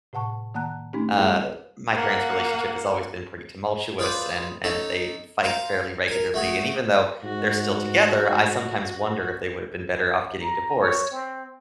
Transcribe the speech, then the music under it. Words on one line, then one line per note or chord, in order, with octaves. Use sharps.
uh, my parents' relationship has always been pretty tumultuous and and they fight fairly regularly, and even though they're still together, I sometimes wonder if they would've been better off getting divorced,
A2 C3 F#5 A5 C#6
D#3 A#3 F#5 A5 A#5 F#6
A3 C4 C#4 D#4 G4
G3 C4 E4 G4 G#4
F#5
A#3 F#5
F4 G#4 B4 C5 D5
C#4 D#4 A4
C5 F5 A#5
A#4 G#5
A3 F#4 G#4
G#2 F#4
A#5
C#5
C4